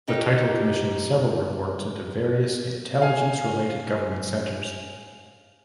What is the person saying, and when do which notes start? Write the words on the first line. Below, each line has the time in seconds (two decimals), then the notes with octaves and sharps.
The title commissioned several reports into various intelligence-related government centers.
0.08 D#4 G4
3.02 F5 G#5